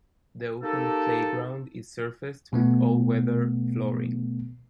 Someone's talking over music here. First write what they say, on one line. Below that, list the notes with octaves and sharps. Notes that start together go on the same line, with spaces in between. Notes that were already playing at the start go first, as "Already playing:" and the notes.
The opened playground is surfaced with all weather flooring.
A#3 D#4 G4 A4
B2 A3 B3